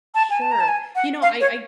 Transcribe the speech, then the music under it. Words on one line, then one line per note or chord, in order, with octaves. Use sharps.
Sure, you know, I
A5
G#5
A5
A#5
A5
G#5
F#5
F5
C#5